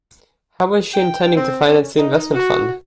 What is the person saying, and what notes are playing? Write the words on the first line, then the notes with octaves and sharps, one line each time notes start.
How is she intending to finance the investment fund?
G5
C4
C#4
D#4
F#4